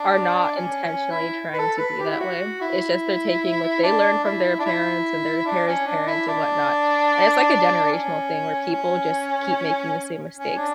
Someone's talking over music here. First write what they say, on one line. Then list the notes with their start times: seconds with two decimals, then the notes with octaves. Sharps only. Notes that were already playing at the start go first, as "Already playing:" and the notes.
are not intentionally trying to be that way. It's just they're taking what they learned from their parents and their parents' parents and whatnot, and it's, like, a generational thing where people just keep making the same mistakes
Already playing: D4
0.56 C#4
0.84 C#4
1.11 E4
1.54 B4
1.59 A4
1.78 B4
2.00 G4
2.09 E4
2.20 F#4
2.61 E4
3.83 D4
4.24 E4
4.59 D4
4.65 E4
5.46 D4
5.67 C#4
5.87 D4
6.07 E4
6.28 D4
7.92 C#4
8.73 C#4
10.37 C#4
10.57 D4